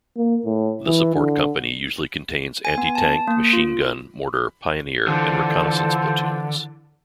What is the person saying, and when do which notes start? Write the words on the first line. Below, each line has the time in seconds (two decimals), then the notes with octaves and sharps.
The support company usually contains anti-tank, machine gun, mortar, pioneer and reconnaissance platoons.
0.17 A#3
0.45 A2
0.87 E3
1.15 D3
2.65 G#5
2.78 B3
2.95 A5
3.28 A#3
3.53 F4
5.08 D3 E3 F4 A4 C5